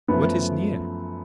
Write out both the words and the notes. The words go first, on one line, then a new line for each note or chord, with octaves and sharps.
What is near?
F#2 F3 A3 B3